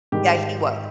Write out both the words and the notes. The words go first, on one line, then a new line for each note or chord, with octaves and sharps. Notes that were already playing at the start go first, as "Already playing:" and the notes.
Yeah, he wa
G#2 D#3 G3 G4